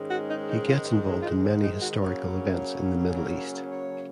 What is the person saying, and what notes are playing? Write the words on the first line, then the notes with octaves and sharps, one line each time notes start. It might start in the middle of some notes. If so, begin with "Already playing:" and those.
He gets involved in many historical events in the Middle East.
Already playing: G#2 D#3 G#3 C#4
F#4
D#4
D#4
F4
C#4
F4
D#4
C#4
D#4
F#4
C#3 F#3 A#3 C#4
A#4
C#5